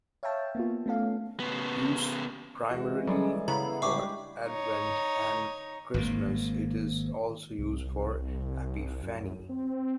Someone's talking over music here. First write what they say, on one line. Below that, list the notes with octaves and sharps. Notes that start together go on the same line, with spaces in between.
Used primarily for Advent and Christmas, it is also used for Epiphany.
C#5 E5 F5 G5 A5
A#3 B3 F4
A3 B3 C#4 A4 F5
C#3 B3
E3 G#3 F#4
F#3 G3 G#4 A4 D5
C#3 B3 E4 A#5
G3 G#3 D4 G4 E5 C#6 D6
D#4 C#5
G#1 G#2 A#3
C2
F#2
C4